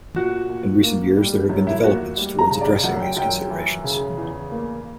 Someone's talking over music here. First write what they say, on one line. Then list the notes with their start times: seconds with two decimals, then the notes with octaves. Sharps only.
In recent years, there have been developments towards addressing these considerations.
0.16 A#2 F#4
0.49 A#2
0.83 A#3
1.17 G3
1.49 F#2
1.67 E4
1.83 A#3 F#4
2.17 G3
2.39 A#5
2.51 C#3
2.61 D5
2.83 F#2 F#5
3.00 G5
3.16 F#2 G5
3.50 E3
3.84 C#3
4.17 E2
4.51 A#3